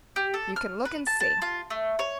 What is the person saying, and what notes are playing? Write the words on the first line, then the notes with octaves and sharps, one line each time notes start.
"You can look and see."
G4
A4
F6
B4
A5
A5
F4
A3
C#5